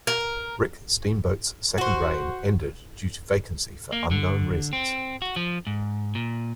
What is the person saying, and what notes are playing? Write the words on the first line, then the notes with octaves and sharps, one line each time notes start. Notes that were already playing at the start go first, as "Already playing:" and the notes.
Rick Steamboat's second reign ended due to vacancy for unknown reasons.
A#4
F#4 C5
A#3
D3
C4
F#4
F3
G#2
A#2